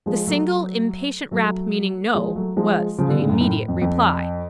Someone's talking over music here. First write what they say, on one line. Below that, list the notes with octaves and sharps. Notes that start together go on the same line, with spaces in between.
The single impatient rap, meaning "No," was the immediate reply.
F3 G#3
F#3 A3
F#3 A3
F3 G#3
F#3 A3
F3 G#3
C#3 F3
B2 D3
A2 C#3
F#2
F#2 A2
F2
F2